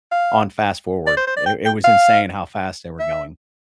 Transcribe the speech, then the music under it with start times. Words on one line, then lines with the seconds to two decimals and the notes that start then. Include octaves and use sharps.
on fast forward. It it was insane how fast they were going.
0.12 F5
1.07 D5
1.17 C5
1.27 C5
1.37 D5
1.46 G5
1.66 G5
1.84 F5
3.00 E5